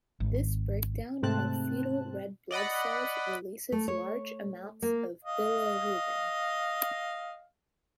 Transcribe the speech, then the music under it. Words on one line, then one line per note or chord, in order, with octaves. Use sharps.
This breakdown of fetal red blood cells releases large amounts of bilirubin.
G#1
G#2 C3 A3 C4 A5 F#6
D5 D#5 F#5 B5
A3
C#5
A#3
D#5 F5